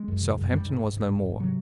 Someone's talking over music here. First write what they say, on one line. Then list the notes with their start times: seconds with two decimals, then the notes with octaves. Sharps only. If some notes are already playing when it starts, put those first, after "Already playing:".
Southampton was no more.
Already playing: G#3
0.08 F#2
0.22 C#3
0.38 F#2
0.52 G#2 G3
0.66 G#2
0.81 G#2
0.97 G#2
1.11 G#2
1.26 G#2
1.39 C3 F#3